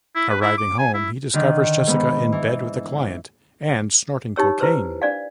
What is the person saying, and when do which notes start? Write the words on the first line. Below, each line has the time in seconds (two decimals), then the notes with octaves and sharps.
Arriving home, he discovers Jessica in bed with a client and snorting cocaine.
0.15 E4
0.29 B4
0.41 E4
0.58 D6
0.78 G#5
0.94 E4
1.33 D3 D#3 D4
1.87 G#2 B3
2.32 E3
4.36 D#4 G4 C#5 E6
4.60 E4 B4 C5 E6
5.02 D4 D5 F5